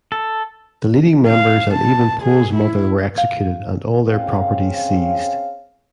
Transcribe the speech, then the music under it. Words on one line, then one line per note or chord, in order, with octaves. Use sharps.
The leading members and even Pole's mother were executed, and all their properties seized.
A4
F5
A5
G#4
E4
F5
C4 C#4 G#4 C#5 F5